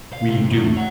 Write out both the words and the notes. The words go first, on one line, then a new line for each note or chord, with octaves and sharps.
We do.
F5
C3
E3 F#4
A3
C#5 F#5